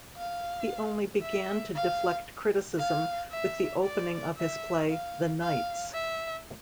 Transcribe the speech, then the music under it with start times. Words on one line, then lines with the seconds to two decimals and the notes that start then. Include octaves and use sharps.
He only began to deflect criticism with the opening of his play, "The Knights".
0.17 F5
1.22 E5
1.75 F5
2.79 F5
3.31 E5
3.84 D5
4.37 E5
4.90 F5
5.42 F5
5.94 E5